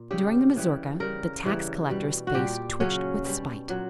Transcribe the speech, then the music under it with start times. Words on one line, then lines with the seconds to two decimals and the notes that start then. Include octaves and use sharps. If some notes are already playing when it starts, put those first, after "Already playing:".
During the mazurka the tax-collector's face twitched with spite.
Already playing: A#2
0.11 C#3 G3 G4
0.56 C#3 E3 G3
1.00 C#3 G3 A#4
1.45 C#3 E3 G3
1.90 B2 G3
2.27 F#4
2.34 A#2 G3 G4
2.80 C#3 F#3 C#4
3.24 B2 G3
3.69 A#2 F#3